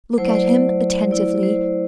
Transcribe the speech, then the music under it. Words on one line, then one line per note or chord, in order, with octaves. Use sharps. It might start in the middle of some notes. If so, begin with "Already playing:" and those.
Look at him attentively.
F#3 A3 E4 C5
D5
C5
F#3 A3 E4 D5
D5
C5